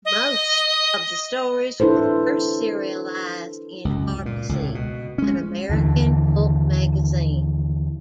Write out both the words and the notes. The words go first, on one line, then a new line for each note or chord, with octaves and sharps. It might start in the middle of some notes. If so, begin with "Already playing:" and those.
Most of the stories were first serialized in "Argosy", an American pulp magazine.
D#5
D4 E4 A4 B4 C5
C#2 F#2
A#2
C#2 A2
B2
G#3 C#4
D#2 D3 E3